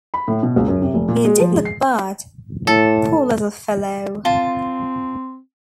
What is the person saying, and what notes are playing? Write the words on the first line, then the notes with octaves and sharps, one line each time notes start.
He did look bad, poor little fellow!
B5
A2
B2
C#2
F#2
C3
F1
A#2
G#3
F3
G#3
C7
A2 A4
C4 F4 A5